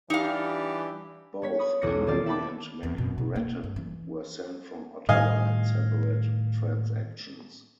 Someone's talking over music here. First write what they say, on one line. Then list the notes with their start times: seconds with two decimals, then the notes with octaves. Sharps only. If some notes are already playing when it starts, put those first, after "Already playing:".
Both Emery and McGrattan were sent from Ottawa in separate transactions.
0.10 E3 G3 D4 D#4 G4 F5
1.42 B3 C#5 B6
1.59 B5 C#6 D#6
1.81 B1 E2 F#6 A#6 C#7
2.07 D#3 A#3 G4 C5 D5 F6
2.26 E5 F#5 G5 A5 B5 D6
2.83 E2 C4
2.98 F#2 B2
3.18 B2
3.36 A#3
3.64 G2
3.76 E3
5.09 A2 D#3 G3 D#5 F5 G#5